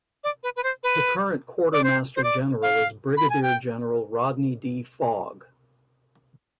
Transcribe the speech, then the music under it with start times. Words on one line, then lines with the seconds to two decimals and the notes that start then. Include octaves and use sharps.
The current Quartermaster General is Brigadier General Rodney D. Fogg.
0.24 D5
0.43 B4
0.56 B4
0.63 C5
0.83 B4
1.73 D5
1.84 C5
2.16 C5
2.24 D5
2.62 F5
3.17 B5
3.30 G#5
3.43 G5